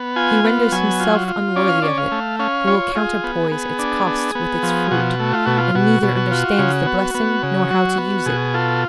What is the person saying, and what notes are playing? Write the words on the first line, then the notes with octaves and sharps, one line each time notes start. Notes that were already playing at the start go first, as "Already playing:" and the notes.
He renders himself unworthy of it who will counterpoise its cost with its fruit, and neither understands the blessing nor how to use it.
Already playing: B3
F4 G#5
B3
F#3 G#5
F4
F4
C#4 D5
F5
C#4 D5
F5
A3
C#4 F5
F4 C#5
F4 G#4
B3
B3
D4
B3
B3
F3
B2 F#4
A3
F4
B2 F#4
F4
B2 F#4
B2
F#4
F4
C#3
B3
B3
C#3
F#3
B3
B2 G#4
F4 A4